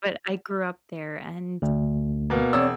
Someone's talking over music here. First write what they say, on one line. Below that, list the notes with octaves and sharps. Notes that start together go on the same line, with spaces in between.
but I grew up there, and
D2
B2 A#3
E1 C4 C#5 D5 E6